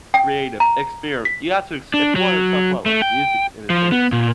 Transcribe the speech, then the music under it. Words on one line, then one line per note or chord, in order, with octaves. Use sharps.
creative, experi You have to ex if you wanna talk about, like, music in a sense,
G5
A#5
B6
D4
F#3
A3
G5
F3
B3
A#2